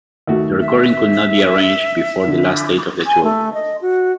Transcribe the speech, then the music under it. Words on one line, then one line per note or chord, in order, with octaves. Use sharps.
The recording could not be arranged before the last date of the tour.
D#2 A3 F#4
E5
D3
G#5
A3
D#5
F#4